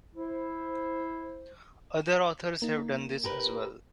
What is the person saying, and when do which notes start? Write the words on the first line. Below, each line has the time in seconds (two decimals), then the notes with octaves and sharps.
Other authors have done this as well.
0.16 E4 C5
2.62 A#3 D#4
3.24 G4 A#4 B4